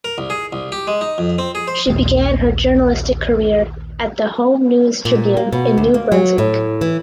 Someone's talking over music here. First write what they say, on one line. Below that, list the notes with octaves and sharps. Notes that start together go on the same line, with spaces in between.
She began her journalistic career at the "Home News Tribune" in New Brunswick.
A#4
C2
G#4
C2
G4
G#3
D#4
F2
C4
G#4
C5
A#1 D#2
A#2
A#3
B2
D2
A#3
F#3
A2
E3